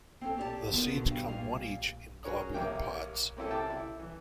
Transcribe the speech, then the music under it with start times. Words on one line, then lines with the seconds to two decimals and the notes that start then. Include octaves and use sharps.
The seeds come one each in globular pods.
0.21 C4 C#4 A4
0.38 G4 C#5 D5 F5 A5
0.73 B3 F4 A#4
0.89 B2 D3
1.10 G2 B2
1.27 A#2 G3 C#4 F4 F5
2.24 C#4 F#4 G#4 A#4 C#5
2.54 A1 C3 A#3 G5
3.37 A#3 C4 C#4 E4 A4
3.51 C3 A4 G5 A5 D6
3.70 E4
3.99 E3